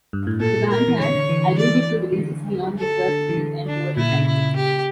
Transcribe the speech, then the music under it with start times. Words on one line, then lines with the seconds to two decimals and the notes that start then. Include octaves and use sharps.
The band had alluded to releases beyond their first release and touring cycle.
0.13 G2
0.27 A2
0.40 A#2 A4
0.70 A#4
0.88 E3
1.00 D3 C#5
1.15 D3
1.29 E3
1.58 D5
2.12 E3
2.18 D3
2.78 A4
3.08 D3
3.29 E3
3.37 D3
3.67 D4
3.96 A#2 E4
4.11 C#3
4.26 E4
4.56 G4